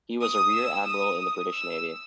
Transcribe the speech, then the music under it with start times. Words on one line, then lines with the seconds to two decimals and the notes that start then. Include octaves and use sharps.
He was a Rear Admiral in the British Navy.
0.21 D#6
0.54 E6
0.86 D#6
1.52 E6